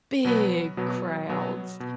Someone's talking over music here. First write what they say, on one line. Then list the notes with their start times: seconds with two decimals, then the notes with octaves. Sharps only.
big crowds.
0.25 B2 F#3 B3
0.77 B2 F#3 B3
1.29 B2 F#3 B3
1.80 B2